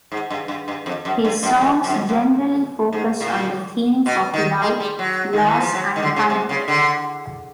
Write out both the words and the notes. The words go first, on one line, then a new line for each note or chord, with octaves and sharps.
His songs generally focus on the themes of love, loss and heartbreak.
G#2
G2
G2
G2
F2
F#2
G2
F#2
F#2
F2
F#2
F2
F#2
G#2
A#2
B2
D#3
G#3
G3
F#3
D#3
E3
F3
F#3
D#3
D3
C#3
C3
C#3
D3